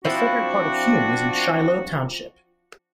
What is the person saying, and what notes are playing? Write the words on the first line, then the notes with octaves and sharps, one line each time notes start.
A southern part of Hume is in Shiloh Township.
F3 C4 D4 E4 F#4